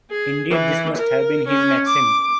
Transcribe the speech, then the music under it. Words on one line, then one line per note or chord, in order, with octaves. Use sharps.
Indeed this must have been his maxim.
G#4
E3
A#4
C#4
D6